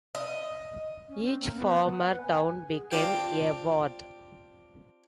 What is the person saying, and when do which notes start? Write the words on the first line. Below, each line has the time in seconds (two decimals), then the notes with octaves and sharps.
Each former town became a ward.
0.15 D#5
1.09 C#4
1.24 C4
1.41 A#3
1.56 B3
1.84 F#5
2.09 B4
2.21 G#5
2.69 G#4
2.92 C4 D4 F4 G4 F5 G5